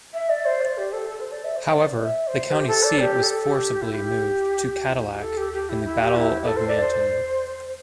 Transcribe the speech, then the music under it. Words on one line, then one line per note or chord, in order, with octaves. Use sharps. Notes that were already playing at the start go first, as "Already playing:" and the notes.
However, the county seat was forcibly moved to Cadillac in the Battle of Manton.
E5
D5
C5
D5
G4
A4
A4
C5
D5
E5
C5
D5
E5
C5
G4
A4
D5
G4
A4
G4
E4
G4
E4
G4
A4
G4
G4
E4
E4
G4
E4
A4
C5
D5
C5